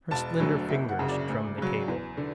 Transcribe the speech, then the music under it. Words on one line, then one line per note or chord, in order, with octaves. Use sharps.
Her slender fingers drummed the table.
E1 A5
D2 D3 F#3
F#1 E5
F#5
F#2 C#3
D5
D2
C#3 F#3
E2
D3